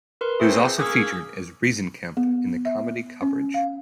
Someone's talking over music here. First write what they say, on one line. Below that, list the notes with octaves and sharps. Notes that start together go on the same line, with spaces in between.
He was also featured as Reisenkemp in the comedy "Coverage".
A#4 B4 C6
A#2 A3 C4 G#4
A#3 C#4 G#4 D6 E6
B3
E5
C#4
F5